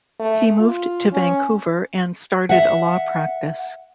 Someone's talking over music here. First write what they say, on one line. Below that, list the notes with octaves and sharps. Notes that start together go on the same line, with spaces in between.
He moved to Vancouver and started a law practice.
A3
F4
C#4
E5 F#5